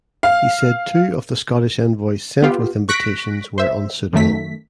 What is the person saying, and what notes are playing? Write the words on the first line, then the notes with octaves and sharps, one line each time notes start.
He said two of the Scottish envoys sent with invitations were unsuitable.
F5
B3 F4 G4
C#6 F#6 A#6 B6 D7
C5 E5
F#2 D#3 A3 B6